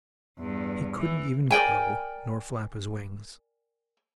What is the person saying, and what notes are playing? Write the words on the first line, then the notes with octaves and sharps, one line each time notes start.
He couldn't even crow, nor flap his wings.
E2 G2
E3
A#4 D5 G5 G#5